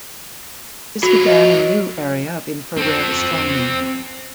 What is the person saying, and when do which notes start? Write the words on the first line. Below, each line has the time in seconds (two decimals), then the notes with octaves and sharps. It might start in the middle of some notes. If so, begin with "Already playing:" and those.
This began a new area of infrared astronomy.
1.03 F#3 F4 F#4
1.26 D#5 E5
2.77 C4 A4